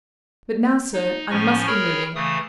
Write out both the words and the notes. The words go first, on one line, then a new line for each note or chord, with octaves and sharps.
But now, sir, I must be moving.
D#4
A2 F3 C#4 G#5 C#6
G#4 A#4 C#5 G5 B5 F6
C#3 E3 A3 D#6